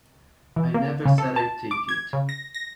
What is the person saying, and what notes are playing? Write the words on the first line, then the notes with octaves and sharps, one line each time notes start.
I never said I'd take it.
E3
A#3
C#3
A4
A5
D6
G#6
C#3
A#6
A#6